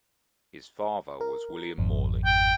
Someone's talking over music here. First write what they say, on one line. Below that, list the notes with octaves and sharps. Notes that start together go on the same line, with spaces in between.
His father was William Morley.
A#4
G#1 F2
G5